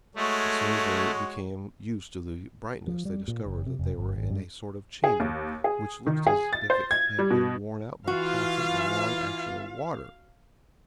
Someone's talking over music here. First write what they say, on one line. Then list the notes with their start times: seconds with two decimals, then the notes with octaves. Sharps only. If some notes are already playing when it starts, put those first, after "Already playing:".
As soon as they became used to the brightness they discovered that they were in a sort of chamber which looked as if it had been worn out by constant and long action of water.
0.16 G#3 A3 F#4 C#5
2.88 F3
3.05 G3
3.28 A#2
3.46 F#1
3.66 C3
3.79 F1
3.98 G1
4.16 G#1
4.31 G2
5.04 G#4
5.20 D#2
5.64 G#4
6.06 D#3
6.27 G#4
6.53 A6
6.70 C5
6.91 G#6
7.19 G3
7.31 B2
8.07 E3 F4 F#4 F5